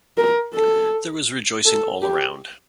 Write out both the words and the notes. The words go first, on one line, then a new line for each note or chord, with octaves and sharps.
There was rejoicing all around.
A#4
A4
A4
G4